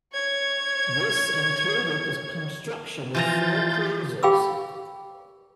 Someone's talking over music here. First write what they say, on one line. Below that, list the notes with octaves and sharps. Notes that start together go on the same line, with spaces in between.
This included the construction of four cruisers.
C#5 G#6
E3 F3 F4 A#5 G6 A6
G4 F5 G5 B5 D6 E6